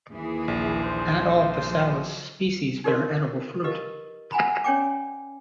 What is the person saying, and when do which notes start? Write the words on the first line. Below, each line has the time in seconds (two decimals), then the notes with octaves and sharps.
Not all "Physalis" species bear edible fruit.
0.13 D#2 E3 G#4
0.48 A#1
0.84 C5
1.65 F3 F#3
2.84 D#4 G4 A#4 D5 C6
3.64 G4 A#4 B4 D#5 F5
4.32 F4 F#5 G#5 A#5 B5
4.64 C#4 C#5 D5 G5 G#5 D6